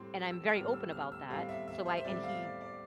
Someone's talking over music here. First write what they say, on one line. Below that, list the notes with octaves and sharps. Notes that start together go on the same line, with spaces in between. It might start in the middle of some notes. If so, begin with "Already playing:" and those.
and I'm very open about that. So I and he
Already playing: A2 G3 C4 C6
E6
A2 G3 C4 F6
E6
F6
E6
A2 G3 C4 F5
E5
E5
C5
E5
A2 G3 C4 D5
F5
D5
D5